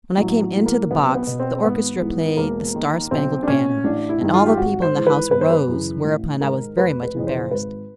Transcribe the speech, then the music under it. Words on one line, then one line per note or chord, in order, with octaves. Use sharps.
When I came into the box, the orchestra played the 'Star-Spangled Banner,' and all the people in the house arose; whereupon I was very much embarrassed.
A1 F#3
F#3
A2 E3
A#3
B1 B3
C4
B3
B2
C4
C4
G#1 B3
G#2 E3
E1 A#3
D#2 D#3
B1 C4
D4
A#2 C#4
A1 D4
E4
G2 D#3
F4
G4
G#1 F#4
C5
G#2 E3
B4
G1 B4
C5
B4
F#2 C#3 E3
A1
G#2 D#3 A#4
F1 B4
B4
F2 C#3 E3
C5
G#1 B4